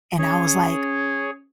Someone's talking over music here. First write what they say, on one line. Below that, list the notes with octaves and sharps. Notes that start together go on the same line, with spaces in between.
And I was like,
C#4 G#4 C#5